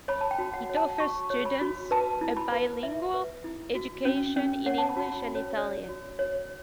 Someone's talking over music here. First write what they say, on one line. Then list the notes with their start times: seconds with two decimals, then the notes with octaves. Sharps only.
It offers students a bilingual education in English and Italian.
0.08 C#5 B5
0.21 A5
0.31 G5
0.39 F#4
0.54 F#5
0.70 C#5
0.77 A5
1.00 F#4 C#6
1.30 C#5
1.45 B5
1.61 F#4
1.91 B4 A5
2.21 E4
2.37 B5
2.52 B4
2.83 E4 E5
3.14 B4
3.44 E4
3.75 F#4
4.05 C#4
4.36 C#4
4.66 C#5 F#5
4.78 A5
4.89 B5
4.97 F#4
5.12 B5
5.27 C#4
5.35 C#5
5.57 C#5 D5
5.89 F#4
6.19 C#5